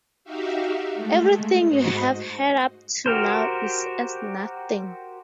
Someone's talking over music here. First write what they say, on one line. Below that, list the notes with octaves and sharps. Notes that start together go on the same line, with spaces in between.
Everything you have heard up to now is as nothing.
D#4 F#4 G4 E5 F5
G#3 A3
G#2 F#4 C5 D#5
F#4 G4 A#4 C5